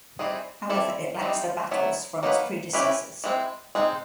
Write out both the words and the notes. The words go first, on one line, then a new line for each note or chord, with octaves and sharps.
However, it lacks the battles from its predecessors.
E3 G3 C4 D#4 G#4
C4 E4 A4 D5
E3 G3 C4 D#4
F#3 B3 E4
F#3 A#3 D#4 F#4 B4
C#4 E4 G4 B4
E3 G#3 C4
G#3 C4 D#4